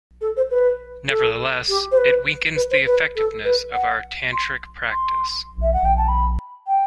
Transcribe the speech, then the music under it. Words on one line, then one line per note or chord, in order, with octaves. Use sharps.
Nevertheless, it weakens the effectiveness of our tantric practice.
A4
C5
B4
A4
G4
C5
B4
B4
C5
B4
A4
B4
F#5
C6
C6
E5
F#5
G5
A5
B5
G5